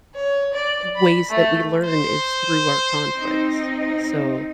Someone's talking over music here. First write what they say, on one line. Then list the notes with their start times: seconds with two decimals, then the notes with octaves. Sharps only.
ways that we learn is through our conflicts, so,
0.15 C#5
0.53 D5
0.96 B5
1.29 A3
1.84 C5
3.12 C4 D#4